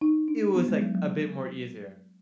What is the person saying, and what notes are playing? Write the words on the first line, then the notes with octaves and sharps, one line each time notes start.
it was, like, a bit more easier.
D#4
D4
B3
G#3
F#3
F#3